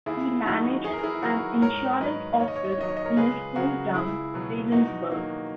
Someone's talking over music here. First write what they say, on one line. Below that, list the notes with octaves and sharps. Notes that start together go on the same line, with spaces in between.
He manages an insurance office in his hometown, Ravensburg.
D#2 E4 G#4
D#3 F#3 D#4 F#4
E2 G#4
A#4
E4 G#4
D#3 F#3 F#4 A#4
G#2 A#4 C#5
D#3 F#3 B4 D#5
D#2 C#5
D#5
C#5
D#5
C#5
D#3 F#3 D#5
C#5
D#5
A#4 C#5
C#2 G#4 B4
C#3 F#3 F#4 A#4
C#2 E4 G#4
B2 F#3
E2 D#4 F#4
D#3 F#3 A#3